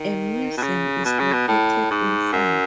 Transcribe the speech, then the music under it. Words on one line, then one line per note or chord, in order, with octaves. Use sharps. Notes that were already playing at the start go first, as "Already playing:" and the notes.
A museum is located inside.
Already playing: D#3
B2
C#3
B2
C#3
B2
A2
G#2
F#2